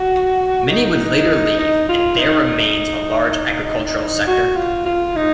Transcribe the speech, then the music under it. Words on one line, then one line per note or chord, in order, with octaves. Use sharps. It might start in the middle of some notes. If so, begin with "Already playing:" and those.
Many would later leave, and there remains a large agricultural sector.
Already playing: F#4
D#4
D#4
F4
D#4
F#4
F4
F4
D#4